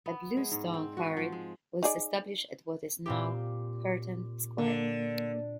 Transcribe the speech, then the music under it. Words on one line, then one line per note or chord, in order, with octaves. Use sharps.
A bluestone quarry was established at what is now Curtain Square.
B3
G#3
G#2
C4
F#4
F3
G#3
D#4 G#4 D5
A#2 C4 G4
D3 A#3